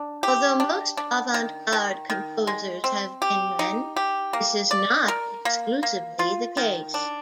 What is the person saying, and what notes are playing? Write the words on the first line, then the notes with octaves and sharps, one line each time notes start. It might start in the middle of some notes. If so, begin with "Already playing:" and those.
Although most avant-garde composers have been men, this is not exclusively the case.
Already playing: D4
G4
D4
D4
D#3
D#3
D#3
G#3
C4
G4
D#4
G4
A#3
D5
A#4
A#3
A#3
F4
D#3
D4